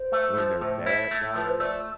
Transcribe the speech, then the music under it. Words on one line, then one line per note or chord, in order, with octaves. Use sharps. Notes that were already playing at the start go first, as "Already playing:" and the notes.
when they're bad guys,
Already playing: C5
A3
F3
A2
E4
A3
F3 B4
C5
A3 D5